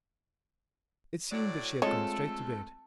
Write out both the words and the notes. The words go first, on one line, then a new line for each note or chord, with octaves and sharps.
It seemed that she had gone straight to bed.
A2 F#3 D5
G#3 A3 C4 F4 A4 C#5 D#5